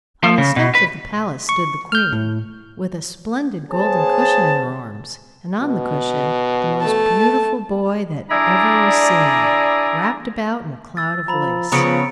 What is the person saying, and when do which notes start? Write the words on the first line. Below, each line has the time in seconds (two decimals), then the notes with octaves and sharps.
On the steps of the palace stood the queen, with a splendid golden cushion in her arms, and on the cushion the most beautiful boy that ever was seen, wrapped about in a cloud of lace.
0.24 F3
0.38 C#3
0.56 B2
0.75 B4
1.49 C#6
1.92 F6 G6
2.12 A2
3.72 B3 G#4 C5 C#5 A5
5.61 B2
6.81 A3 A5
8.31 D4 E4 G#4 D5 A#5
10.97 E6 A6
11.28 F3 A#5 B5
11.72 C#3 F3 B3 C#5 A#5 C#7 D7